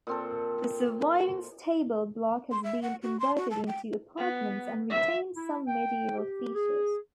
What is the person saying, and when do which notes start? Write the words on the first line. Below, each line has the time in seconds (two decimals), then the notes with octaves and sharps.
The surviving stable block has been converted into apartments and retains some medieval features.
0.07 A#2 C4 A4
2.51 C6
2.63 E5
2.82 F#5
3.02 F#4
3.20 C6
3.37 F#4
3.51 A5
3.67 G5
4.17 B3
4.90 E5
5.34 E4
5.67 G5
6.16 G4
6.54 G#4